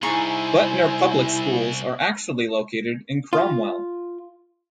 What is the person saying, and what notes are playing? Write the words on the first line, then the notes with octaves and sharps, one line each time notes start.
Butner Public Schools are actually located in Cromwell.
C2 D#4 E4 G#4 C5 E5 G#5 C#6
F4